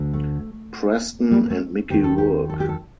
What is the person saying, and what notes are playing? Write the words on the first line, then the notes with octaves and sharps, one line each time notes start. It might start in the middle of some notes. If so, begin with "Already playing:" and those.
Preston, and Mickey Rourke.
Already playing: D2 D3
A3
G3
A#3
A3
D#2 D#3 G4
A4
G4
A4
G4
A4